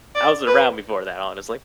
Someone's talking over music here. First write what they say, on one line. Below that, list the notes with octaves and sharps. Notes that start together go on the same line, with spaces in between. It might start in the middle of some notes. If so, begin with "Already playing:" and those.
I was around before that, honestly,
D5
B4